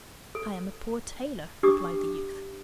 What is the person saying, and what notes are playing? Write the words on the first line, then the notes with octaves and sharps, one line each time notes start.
'I am a poor tailor,' replied the youth.
A4
D4 G4 D6 D#6